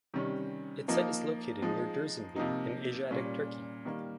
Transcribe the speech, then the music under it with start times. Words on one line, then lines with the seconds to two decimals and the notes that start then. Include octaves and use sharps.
Its site is located near Dursunbey in Asiatic Turkey.
0.14 C3 D#3 G3 C#4
0.88 F3 A#3 D#4
1.62 F3 G#3 D#4
2.36 C3 F3 A#3 D#4
3.11 A#2 G3 C#4
3.85 D#3 G3 A#3